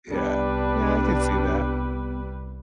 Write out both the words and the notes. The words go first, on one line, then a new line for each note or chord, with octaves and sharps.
Yeah. Yeah, I can see that.
C2 G3 B3 D4 B4